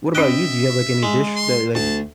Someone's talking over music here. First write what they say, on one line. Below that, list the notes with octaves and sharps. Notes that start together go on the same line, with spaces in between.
What about you? Do you have, like, any dish that, like,
C#4 D#5 E5 G5 F#6
G#3
C6
D2 A5